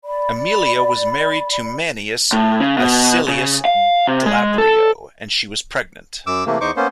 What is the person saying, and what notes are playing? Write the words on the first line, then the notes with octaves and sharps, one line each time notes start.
Aemilia was married to Manius Acilius Glabrio, and she was pregnant.
D5 B5
A2
C#3
B2
C#3
F5
C3
G#3
A4
F#2 D6 E6
C3 E3 A3 A#3
E2 D#4 C5 C#6 D6
A#3 B3 C#4 C5